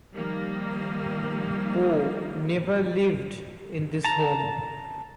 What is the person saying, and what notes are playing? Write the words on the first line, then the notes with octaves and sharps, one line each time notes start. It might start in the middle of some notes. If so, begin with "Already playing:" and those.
Poe never lived in this home.
D#3 F3 G3 A#3
A5 A#5